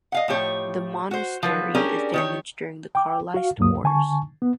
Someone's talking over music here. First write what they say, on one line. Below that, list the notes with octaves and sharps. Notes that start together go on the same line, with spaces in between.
The monastery is damaged during the Carlist Wars.
D#5 F5 F#5
A2 F3 G4 C#5
F#4 C5
F3 F#3 B4
C#4 D4 G4 G#4 A#4
D#3 G4 C#5
G5 D6
F#4 F5
D2 G2 F#3 A#3 D#6
D3 G#5 A5 C#6
B3